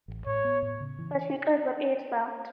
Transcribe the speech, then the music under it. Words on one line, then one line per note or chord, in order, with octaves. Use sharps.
But he could repeat that.
A1
A2 C#5
B3
A2
C#3
E3